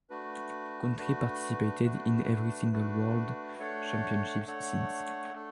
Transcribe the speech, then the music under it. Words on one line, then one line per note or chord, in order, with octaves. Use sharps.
Country participated in every single world championships since.
A3 D4 F#4 B4
A3 D4 F#4 B4
A3 D4 F#4 B4
A3 D4 F#4 B4
A3 D4 A4 C#5 F#5
A3 D4 A4 C#5 F#5
A3 D4 A4